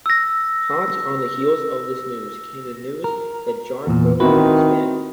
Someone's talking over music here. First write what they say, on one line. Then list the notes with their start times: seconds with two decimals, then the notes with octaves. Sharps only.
Hot on the heels of this news came the news that Jarcrew had disbanded.
0.06 E6 A#6
3.04 A#4
3.87 E2 A#2
4.20 D#3 C4 E4 F#4 B4